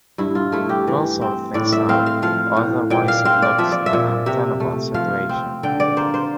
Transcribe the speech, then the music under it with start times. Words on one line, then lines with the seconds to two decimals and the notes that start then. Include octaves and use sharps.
We'll sort things out... otherwise it looks an untenable situation.
0.18 G2 E4
0.35 F4
0.52 A3 E4
0.69 G4
0.87 E3
1.21 C4
1.54 A2 D5
1.72 E5
1.89 C4 F5
2.06 F5
2.22 F3 F5
2.57 A2
2.90 A#2 G5
3.08 F5
3.25 C4 F5
3.42 D5
3.58 F3 E5
3.72 D5
3.86 E5
3.93 A#2
4.26 C3 E5
4.60 A3
4.94 F3 F5
5.29 C4
5.63 D3 G5
5.80 D5
5.97 A#3 C5
6.14 C5